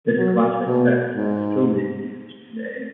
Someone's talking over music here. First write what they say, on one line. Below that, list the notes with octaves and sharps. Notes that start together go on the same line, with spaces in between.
This classic text is still being used today.
F#3
B2
G#2